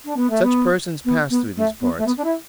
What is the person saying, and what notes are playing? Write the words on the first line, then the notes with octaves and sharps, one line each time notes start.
Such persons pass through these parts.
D4
B3
A3
B3
B3
B3
A3
B3
A3
B3
D4
E4